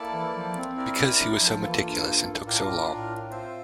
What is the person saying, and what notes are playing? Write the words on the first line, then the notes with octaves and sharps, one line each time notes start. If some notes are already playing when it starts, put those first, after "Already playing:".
Because he was so meticulous and took so long.
Already playing: A#3 E4 A4 D5 A5
E3
F3
C4
E4 A#4 D5
D4
F3
E3 A#3 F4 A4
G2
A2 D4 F4 A#4
A2
A2
C4 F4 C5 E5